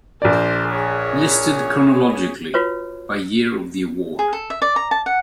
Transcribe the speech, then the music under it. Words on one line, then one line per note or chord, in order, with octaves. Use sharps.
Listed chronologically by year of the award.
A#1 A#4 C5 D5
G#4 C#5
F4 F#4 B4 C#5
G#4
A4
E5
D5
A#5
A5
F#5